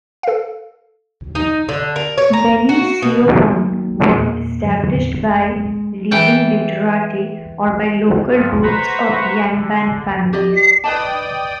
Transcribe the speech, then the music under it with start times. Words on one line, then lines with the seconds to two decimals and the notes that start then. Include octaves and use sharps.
Many seowon were established by leading literati, or by local groups of yangban families.
0.23 A4 F5
1.35 D#4
1.69 D3
1.96 A#4
2.18 C#5
2.33 A#5
2.69 F#4
3.02 B2
3.50 D#3 F#3 A#3
4.15 E2 A#2 A#3
4.62 F#2 D3 F#3
4.93 E2 A2 D3 F3
5.11 F1
5.56 G#3
6.11 E3 F#5 G5 A5
8.30 G2 F3
8.63 B4 C5 F#5 A#5 B5 C#6
9.52 D3
10.33 G4 D5 D#5
10.84 B4 D5 D#5 G5 A5 D#6